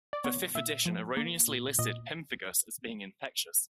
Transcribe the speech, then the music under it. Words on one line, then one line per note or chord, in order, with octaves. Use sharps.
The fifth edition erroneously listed pemphigus as being infectious.
D5
B3 C#5
A#2 E5
F3
A#3
A#2
A#2 D#5